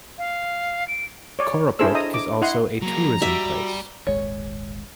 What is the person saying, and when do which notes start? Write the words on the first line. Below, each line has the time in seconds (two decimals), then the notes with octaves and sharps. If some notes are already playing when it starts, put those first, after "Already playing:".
Koraput is also a Tourism Place.
0.18 F5
0.88 D7
1.39 C#5 D5
1.79 D4 E4 G#4 A4 C5 E6
1.95 D#5 A#5 D#6
2.14 D6
2.41 E4 D#5 F#5 C6
2.82 F#3 A#3 A#5
3.22 G3 F#4 E5
4.07 D#1 G#1 G#3 C#5